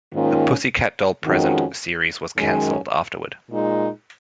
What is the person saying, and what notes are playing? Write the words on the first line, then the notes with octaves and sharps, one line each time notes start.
The "Pussycat Dolls Present" series was canceled afterward.
G#2 D#3 A#3 C#4 F4
F2 D#3 G#3 C#4 F#4
F#2 D#3 G#3 C#4
A#2 G#3 D#4